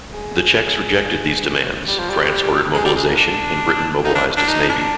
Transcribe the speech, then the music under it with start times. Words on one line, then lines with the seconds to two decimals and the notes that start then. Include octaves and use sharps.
The Czechs rejected these demands, France ordered mobilization and Britain mobilized its Navy.
0.14 G#3
1.88 G3
1.99 F3
2.10 G3
2.74 G#3
2.85 G3
2.96 G#3
3.07 A#3
3.17 D4
4.05 D#4
4.15 D4
4.37 D4
4.48 D#4
4.69 D4